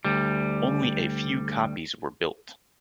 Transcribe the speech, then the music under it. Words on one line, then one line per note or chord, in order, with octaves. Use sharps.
Only a few copies were built.
D2 G3